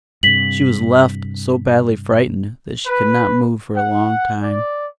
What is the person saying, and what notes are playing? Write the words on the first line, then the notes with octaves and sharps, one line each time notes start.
She was left so badly frightened that she could not move for a long time.
G2 C3 B6 F#7
B4
F#5
D5